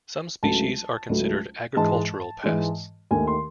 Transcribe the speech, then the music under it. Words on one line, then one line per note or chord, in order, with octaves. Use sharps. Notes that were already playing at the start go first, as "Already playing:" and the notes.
Some species are considered agricultural pests.
C#2 C#3 F#3 A3 A5
C#2 C#3 F#3 A3
G#2 E3 G#3 A5
G#2 E3 G#3
D#2 D#3 A3 G#5
C6